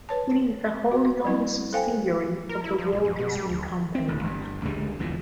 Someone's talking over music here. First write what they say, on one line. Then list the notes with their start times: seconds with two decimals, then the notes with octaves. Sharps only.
It is a wholly owned subsidiary of The Walt Disney Company.
0.09 B4 C#5 A5
0.92 F#4
1.25 F#3 G3 C4 E4
1.73 A4 C5 F5 G5 G#5
2.49 A#4
2.64 E4
2.78 F3
2.92 A#1
3.05 G2
3.19 B2
3.35 G3
3.49 D2
3.95 C4
4.08 D#1 A1 D3
4.24 G1 G2
4.65 C#2 D3 G3 G#3
4.99 G1 E2 B2 F3